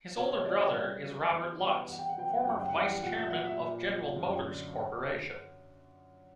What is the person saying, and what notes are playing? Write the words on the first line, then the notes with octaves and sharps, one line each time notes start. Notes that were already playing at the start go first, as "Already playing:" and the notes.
His older brother is Robert Lutz, former Vice-Chairman of General Motors Corporation.
B2 C#5
C#5
C#5
G3 D5
E5
F#5
G2
F#3
E2
B2 G3
E2 F#5
G5
F#5
B2 F#3 G5
F#5
G5
F#2 F#5
G5
F#5
E3 G3
A#2 F#5
E5
F#3 F#5
E5
A#2
F#3
F#2
D3 F#3
F#5